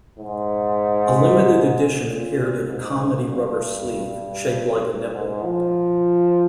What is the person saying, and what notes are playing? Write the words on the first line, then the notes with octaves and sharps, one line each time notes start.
A limited edition appeared in a comedy rubber sleeve, shaped like a nipple.
G#2
A#2
G#2
G2
G#2
F3